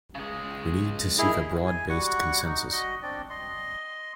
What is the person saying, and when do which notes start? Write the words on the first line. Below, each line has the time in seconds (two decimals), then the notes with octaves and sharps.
We need to seek a broad-based consensus.
0.15 C#3 G#3
1.18 E4 G#4 A#4 D#5
1.67 G#5
1.89 G3 F#4 F#5 C#6
2.45 D#4
2.72 F#4 D#5
3.02 C4 D4 D5
3.30 D#5 C6